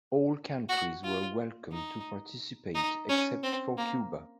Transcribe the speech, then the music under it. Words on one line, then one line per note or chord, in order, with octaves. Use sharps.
All countries were welcome to participate except for Cuba.
F#4
F4
D#4
D#4
C#4
C4
A#3